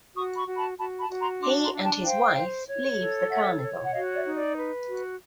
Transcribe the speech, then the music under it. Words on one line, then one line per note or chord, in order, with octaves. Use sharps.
He and his wife leave the carnival.
F#4 C#6 D#6
B5 C#6
F#4
A5 B5
F#4 A5 B5
A5 B5
F#4
A#5 C6
D4 C6 D6
A#5 C6
D4
G5 A5
C5 F5 G5
C5
C#5
A4
C#5 E5 F#5
C#5
F#5
F#4 D#5 F5
D5 E5
D#4
D5
B4
F#4